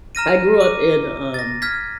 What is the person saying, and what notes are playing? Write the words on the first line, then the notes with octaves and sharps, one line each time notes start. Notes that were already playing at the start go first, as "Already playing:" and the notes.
I grew up in, um,
A#5 F6 A#6 D#7
D6 D#7
A6 A#6
F6 G#6 B6